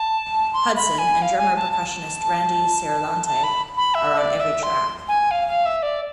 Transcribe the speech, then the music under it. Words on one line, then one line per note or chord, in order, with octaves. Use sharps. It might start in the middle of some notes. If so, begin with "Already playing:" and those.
Hudson and drummer-percussionist Randy Ciarlante are on every track.
Already playing: A5
C6
B5
G#5
F5
G#5
A5
A5
A5
B5
B5
E5
D5
E5
C6
G#5
F5
F5
E5
D5